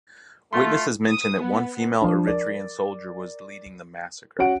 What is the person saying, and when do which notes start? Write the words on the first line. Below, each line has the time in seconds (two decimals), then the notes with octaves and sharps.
Witnesses mention that one female Eritrean soldier was leading the massacre.
0.53 A3 F4 C6
1.08 D#6
1.41 B3
2.02 F3 D4
2.27 A#4 D5
4.39 C#4 F#4 F#5 D7